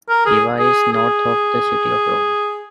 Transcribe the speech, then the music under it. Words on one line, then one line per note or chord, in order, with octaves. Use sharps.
Ava is north of the city of Rome.
A#4
G#4
G#4
G#4